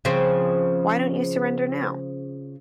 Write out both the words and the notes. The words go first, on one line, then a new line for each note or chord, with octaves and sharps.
Why don't you surrender now?
C#3 F3 C4